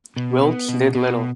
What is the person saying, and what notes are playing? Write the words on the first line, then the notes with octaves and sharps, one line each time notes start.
Wilkes did little.
B2
B3
B2
B2